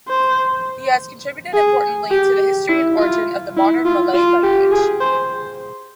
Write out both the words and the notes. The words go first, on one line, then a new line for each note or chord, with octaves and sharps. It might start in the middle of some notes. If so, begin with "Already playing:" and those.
He has contributed importantly to the history and origin of the modern Malay language.
C5
G#4
G4
E4
F4
E4
F4
F4
G4
G#4
C5